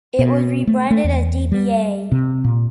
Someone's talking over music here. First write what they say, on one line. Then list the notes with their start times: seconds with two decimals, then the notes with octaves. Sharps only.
It was rebranded as dba.
0.19 B2
0.67 A3
0.91 A3
1.04 E2
1.52 G3
2.12 C3
2.44 A#2